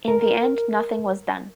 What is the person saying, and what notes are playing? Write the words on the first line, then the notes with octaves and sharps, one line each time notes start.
In the end nothing was done.
A#4